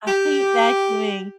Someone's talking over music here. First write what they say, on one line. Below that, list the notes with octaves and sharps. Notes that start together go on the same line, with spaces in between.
I hate vacuuming.
G4